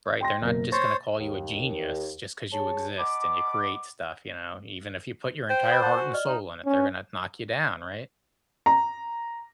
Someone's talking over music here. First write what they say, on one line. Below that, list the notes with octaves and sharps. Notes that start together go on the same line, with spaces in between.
Right, they're not just gonna call you a genius, just 'cause you exist, and you create stuff, you know? Even if you put your entire heart and soul in it, they're gonna knock you down, right?
G5 C6 A#6
F#1 B2 A#4
C5 C#5 A6
D#2
G#4 C#5 A5
D#5 F#5 A5 B5 D6
C5 G5
B5 D#6 A6
F#5 A5 G6 A6
F#4 G#5
D5 D#5 F6
D#4
C#4
A#5